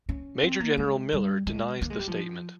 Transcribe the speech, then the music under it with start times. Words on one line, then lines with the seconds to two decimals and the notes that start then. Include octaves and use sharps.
Major General Miller denies the statement.
0.09 C#4
0.43 C4
0.60 A#3
0.77 G#3
1.13 G3
1.47 G#3
1.82 A#3
1.90 G#3
1.99 G3
2.08 F3